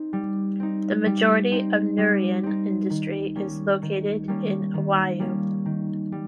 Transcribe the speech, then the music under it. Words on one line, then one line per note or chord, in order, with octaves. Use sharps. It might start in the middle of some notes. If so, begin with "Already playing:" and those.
The majority of Nauruan industry is located in Aiwo.
Already playing: C4 D#4
G3
C4 D#4
G3
C4 D#4
G3
C4 D#4
D#3
G3 A#3 C#4
D#3
G3 A#3 C#4
D#3
G3 A#3 C#4
D#3
G3